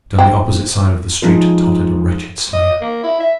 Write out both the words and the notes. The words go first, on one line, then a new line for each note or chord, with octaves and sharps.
Down the opposite side of the street tottered a wretched slave.
C4
F3 G#3 D#4
D#5
A#3
E4
E5